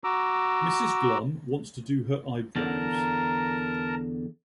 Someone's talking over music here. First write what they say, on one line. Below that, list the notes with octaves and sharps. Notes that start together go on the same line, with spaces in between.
Mrs Glum wants to do her eyebrows.
F#4 A#5 D6 E6
E2 D3 A#4 A5 A#5